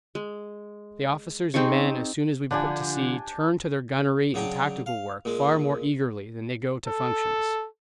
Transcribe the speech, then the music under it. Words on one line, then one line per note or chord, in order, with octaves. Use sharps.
The officers and men as soon as we put to sea turn to their gunnery and tactical work far more eagerly than they go to functions.
G#3
C4 D#4 G#4 C#6
D3 F3 D4 G4 G#5
C#3 F#3 D4 G5
F5
A#2 G#3
A4